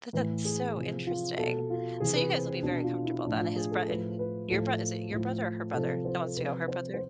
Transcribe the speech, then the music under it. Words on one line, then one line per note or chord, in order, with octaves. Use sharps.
But that's so interesting. So, you guys will be very comfortable, but and his brot and your brot Is it your brother or her brother, that wants to go? Her brother?
A2 E3 B4
G#4
C3 F3 G#4
F4
B2 A4
F4
C3 E3 G#4
B4
C4
C4
B2 D4
F4
E4
A2 F3 D4
F4
G#4
A4
A2 F3 B4
B4
A2 F3 A4
A2 F3
C3 F3 A4
C5
A4
C3 F3 B4
C5
C5